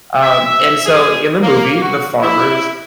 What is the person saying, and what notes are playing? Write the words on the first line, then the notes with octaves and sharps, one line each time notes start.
Um, and so in the movie, the farmers,
E5
G#4
A#3
F#4
E4